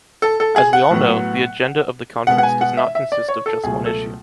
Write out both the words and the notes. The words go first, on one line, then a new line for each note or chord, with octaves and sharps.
As we all know, the agenda of the Conference does not consist of just one issue.
A4
A4
G#4
F#5
A2 F#3 B3
B2 G#3 B3 F#5
F#5
G#5
F#5
E5
E5
D5
C#5
A4
C#2 B2 F#3 A3 G#4
A4